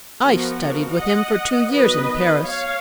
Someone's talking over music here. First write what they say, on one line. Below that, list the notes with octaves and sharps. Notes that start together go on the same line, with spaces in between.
'I studied with him for two years in Paris.
F3 B3 F#4 A#4
D#5 F#5
D#3 F#3 B3 B4 D#5
C#5 F5